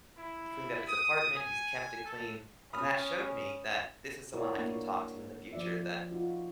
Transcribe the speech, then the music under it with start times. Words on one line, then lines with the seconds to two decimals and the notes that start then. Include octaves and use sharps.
He cleaned up his apartment, he's kept it clean, and that showed me that this is someone I can talk to in the future, that
0.16 E4
0.87 D#6
1.37 G#5
2.04 A4
2.73 C#4 B5 D#6 F6
4.34 E4 F#4 A#4 C#5 D5
4.56 A#3 D4
5.53 F3 D5 E5
6.11 D#4 F4 F#4